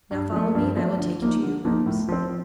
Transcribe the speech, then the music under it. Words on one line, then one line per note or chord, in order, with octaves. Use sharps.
"Now follow me and I will take you to your rooms."
G2
F3 A3
G2
F3 A3
D3
F3 A#3 D#4
D3
F3 A#3 D#4
A2
F3 C4